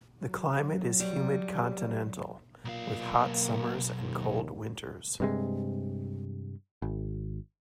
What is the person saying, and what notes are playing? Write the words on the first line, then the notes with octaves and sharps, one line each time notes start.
The climate is humid continental, with hot summers and cold winters.
F#3
G3
B1 A#2 F5
A#3
D#2
G2 C3 G#3
G#1